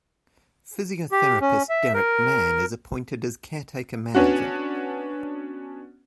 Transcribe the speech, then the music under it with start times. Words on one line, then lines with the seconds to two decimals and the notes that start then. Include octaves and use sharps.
Physiotherapist Derek Mann is appointed as caretaker manager.
1.12 G4
1.41 C#4
1.69 E5
1.93 A#4
4.15 B3 C#4 D4 F#4